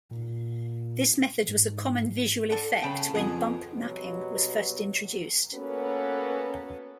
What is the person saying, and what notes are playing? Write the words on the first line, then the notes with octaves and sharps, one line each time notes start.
This method was a common visual effect when bump mapping was first introduced.
A#2
G#2
D3 A4
C#3 G5 A5 B5
F2 B2 G#4
B2 F#3 G3 B3
A#3 B3 C#4 F#4 A4 B4